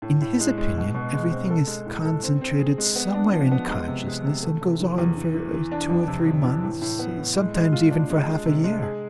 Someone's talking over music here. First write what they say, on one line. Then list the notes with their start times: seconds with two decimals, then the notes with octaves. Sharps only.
In his opinion everything is concentrated somewhere in consciousness and goes on for two or three months ... sometimes even for half a year....
0.02 A2
0.21 A2
0.39 G#3
0.58 G#3
0.77 B2
0.94 B2
1.13 G#3
1.30 C4
1.50 A4
1.67 G#3
1.86 A2
2.04 A4
2.23 C4
2.41 C4
2.59 G#4
2.78 G#3
2.95 B3
3.14 D4
3.33 F3
3.51 B3
3.69 G#3
3.88 C3
4.07 G#3
4.24 C3
4.43 A3
4.61 C3
4.80 E3
4.98 E2
5.17 E3
5.34 E3
5.53 E3
5.71 D4
5.89 F2
6.08 C3
6.26 F2
6.44 E3
6.63 A2
6.82 A2
6.99 B3
7.18 A2
7.37 G#3
7.55 G#3
7.73 F4
7.91 D4
8.10 G#3
8.28 G#3
8.46 C3
8.64 G#3
8.82 G#4